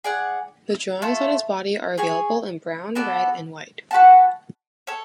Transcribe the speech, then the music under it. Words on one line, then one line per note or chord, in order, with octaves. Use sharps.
The drawings on his body are available in brown, red and white.
G#4 D5 F#5
A3 F4 A4
G#4 C#5 G#5
B3 F#4 A4 D5
F#4 B4 F#5 A5
A4 C#5